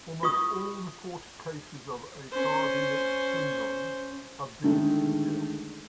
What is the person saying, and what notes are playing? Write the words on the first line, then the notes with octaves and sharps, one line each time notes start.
Almost all reported cases of Aicardi syndrome have been in girls.
F4 C#6 D#6
C#4 C5
D3 D#3 G#3 A3